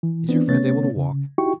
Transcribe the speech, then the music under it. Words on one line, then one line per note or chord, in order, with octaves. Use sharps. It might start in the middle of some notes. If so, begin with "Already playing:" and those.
"Is your friend able to walk?"
E3
E3 B3 C4 D4
C3 A3 B3 C#4 C#5 A6
C#3
D#4 E4 F#4 G4 G5 C#6